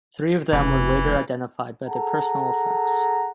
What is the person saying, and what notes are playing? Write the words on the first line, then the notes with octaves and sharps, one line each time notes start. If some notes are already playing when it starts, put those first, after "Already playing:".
Three of them were later identified by their personal effects.
F1 C3 E3
G#4 A4 F#5 A5 A#5